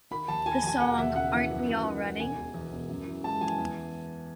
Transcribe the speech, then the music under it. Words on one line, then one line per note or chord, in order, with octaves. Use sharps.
The song Aren't We All Running?
D#3 B5
D#2 A5
D#3 G#5
A5
D#2 G#5
E1 F#5
D#2 E5
C#3 F#5
E3
F#2
D#3
D#3
F#2
E1 G#5
E1
E2
E1
F#2
E3
G#3 A5
E3 G#5
E2